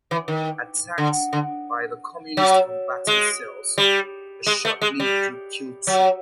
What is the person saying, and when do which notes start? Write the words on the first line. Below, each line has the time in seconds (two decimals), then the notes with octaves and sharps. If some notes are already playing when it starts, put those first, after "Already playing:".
Attacks by the Communist Combatant Cells, a short-lived group, killed two.
0.11 E3
0.28 D#3
0.98 D3
1.33 D3
2.37 F#3
3.07 G#3
3.78 G3
4.46 G#3
4.65 A3
4.81 G#3
5.00 G3
5.87 F#3